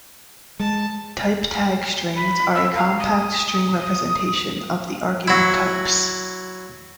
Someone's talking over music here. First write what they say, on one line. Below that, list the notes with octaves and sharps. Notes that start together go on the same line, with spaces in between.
Type tag strings are a compact string representation of the argument types.
G#3 A5
B5
E6
F5
D#6
D#6
F#3 E4